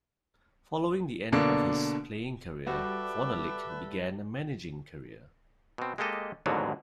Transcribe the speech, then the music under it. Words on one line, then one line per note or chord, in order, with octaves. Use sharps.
Following the end of his playing career, Fornalik began a managing career.
B2 D3 A#3 D4
G3 F#4 A4 B4 E5 G5 D6
B2 C4
G#3 A#3 G4 A4 D#5
A1 D#2 G#2 B2 D3 F#3